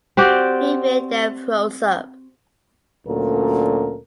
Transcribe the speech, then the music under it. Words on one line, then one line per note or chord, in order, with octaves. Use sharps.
Vivian then throws up.
C4 F#4 G4 D5
D2 A#2 F#3 C#4 A4 A#4